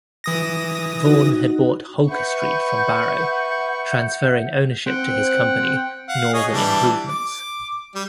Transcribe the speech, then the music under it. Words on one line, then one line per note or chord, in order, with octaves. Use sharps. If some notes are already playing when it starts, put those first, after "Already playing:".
Vaughan had bought Holker Street from Barrow, transferring ownership to his company "Northern Improvements".
E3 D#6 A#6
D#4 F#4
B4 E5 F#5 C#6 G6
C4 F#5 G5
F5 F#5
G#4 C#5 D#5
E3 G3 D4
D6
G3